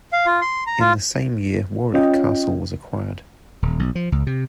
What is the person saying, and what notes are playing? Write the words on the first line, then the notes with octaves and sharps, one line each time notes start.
In the same year Warwick Castle was acquired.
F5
F4
C6
A#5
F4
C#4 F4 D#5 G5
D#1
B1
F3
C#2
C3